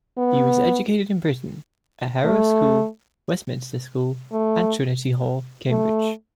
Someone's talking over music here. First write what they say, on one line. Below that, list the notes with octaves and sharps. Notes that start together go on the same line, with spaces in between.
He was educated in Britain, at Harrow School, Westminster School, and Trinity Hall, Cambridge.
B3
A3
A3
A3